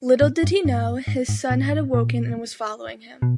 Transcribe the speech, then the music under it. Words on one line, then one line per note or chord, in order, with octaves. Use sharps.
Little did he know, his son had awoken and was following him.
A2
G2
G2
G#2
G2
G#2
G#2
A#2
A2
G#2
A2
A#2
B2